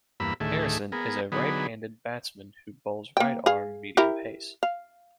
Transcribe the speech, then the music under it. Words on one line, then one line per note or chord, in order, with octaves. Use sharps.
Harrison is a right-handed batsman who bowls right-arm medium pace.
E2 G2 A#3 B4 B5 E6
D2 A2 D#3 A3 G#4 E5
B3 G#4 A#4
D3 F#3 B3 D#4 G#4 B4
A#3 G5
G#4 F5
E4 G4 A#4
F5